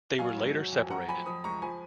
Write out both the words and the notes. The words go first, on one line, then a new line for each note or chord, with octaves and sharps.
They were later separated.
F#3 F5 G#5
G#2
F#3
F2
F#3 F#5 A#5
F2 G#5 B5
F3 B5 D#6
C#2 A#5 C#6
F3 G#5 B5